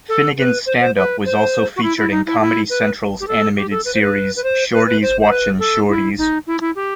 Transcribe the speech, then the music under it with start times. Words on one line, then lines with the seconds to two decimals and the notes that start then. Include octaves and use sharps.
Finnegan's stand up was also featured in Comedy Central's animated series Shorties Watchin' Shorties.
0.08 A4
0.38 B4
0.66 C5
0.80 C5
0.96 B4
1.25 C5
1.76 F#4
1.82 E4
1.97 E4
2.11 D#4
2.26 E4
2.40 E4
2.70 B4
3.20 G4
3.28 A4
3.56 G4
3.71 A4
3.85 B4
3.94 C5
4.01 B4
4.36 B4
4.44 C5
4.72 B4
4.87 B4
5.02 C5
5.21 C5
5.30 B4
5.59 A4
5.88 E4
6.18 D#4
6.47 E4
6.61 E4
6.75 G4